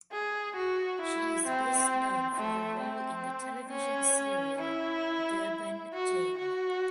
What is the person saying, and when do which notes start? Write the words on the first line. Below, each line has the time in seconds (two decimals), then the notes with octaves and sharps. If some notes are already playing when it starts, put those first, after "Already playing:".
She is best known for the role in the television serial "Durban Gen".
0.12 G#4
0.57 F#4
1.02 E4
1.46 C4
2.36 A3
2.80 C4
3.70 C#4
4.60 E4
5.94 F#4
6.38 F#4